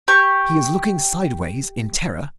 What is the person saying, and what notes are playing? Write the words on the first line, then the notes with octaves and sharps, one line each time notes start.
He is looking sideways in terror.
G4 C#6